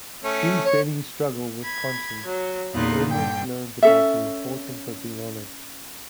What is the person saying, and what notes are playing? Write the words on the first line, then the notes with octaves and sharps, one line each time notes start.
Through Benny's struggle with conscience, the audience learns about the importance of being honest.
A3 C#4
C#5
B5 G#6
F#3
E2 A#2 E3 D#4 F4 F#6
G2 D3 G5
C#4 A4 E5